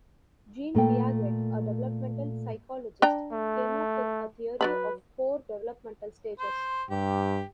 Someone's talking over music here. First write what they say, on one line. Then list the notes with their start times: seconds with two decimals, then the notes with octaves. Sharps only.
Jean Piaget, a developmental psychologist, came up with a theory of four developmental stages.
0.75 A#2 A3 A4 G5
3.02 D4 G5 A#5
3.32 A3
4.61 F#3 B4 D5 B5
6.40 C5
6.90 G2 G4